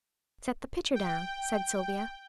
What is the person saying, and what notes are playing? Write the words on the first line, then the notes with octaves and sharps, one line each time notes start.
"Set the pitcher down," said Sylvia.
G5